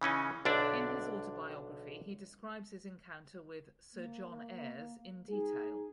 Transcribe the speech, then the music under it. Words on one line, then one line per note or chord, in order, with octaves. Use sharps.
In his autobiography he describes his encounter with "Sir John Ayres" in detail.
C#3 E3 C#4 D#4
B1 D3 D4 D5 E5
A#3
D#4 G#4